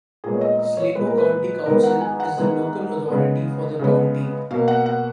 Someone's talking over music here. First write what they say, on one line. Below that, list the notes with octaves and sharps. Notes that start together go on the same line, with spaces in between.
Sligo County Council is the local authority for the county.
A#2 G#3 B3 G#4
C#5
D#5
D#5
C#5
A#2 G#3 B3 B4
A#4
B4
G#2 D#3 G#3 B3 A#4
F#5
G#5
F#5
G#2 D#3 G#3 B3
C#3 G#3 B3
C#3 G#3 B3
B2 A#3 F5
F#5
F#5